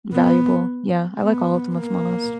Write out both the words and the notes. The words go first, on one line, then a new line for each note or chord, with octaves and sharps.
valuable. Yeah, I like all of them, if I'm honest.
B3
B3
A#3